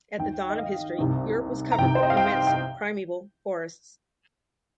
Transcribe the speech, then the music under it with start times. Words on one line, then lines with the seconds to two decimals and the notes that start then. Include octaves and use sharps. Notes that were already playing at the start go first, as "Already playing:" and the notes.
At the dawn of history, Europe was covered with immense primeval forests.
0.19 D#2 D#3 G5
0.50 D#5
0.59 F5
0.98 C2 C3 D#3
1.72 A#5
1.78 C2 C3 D#3 G5
1.95 C5
2.03 D#5
2.10 F5
2.17 G5
2.47 G5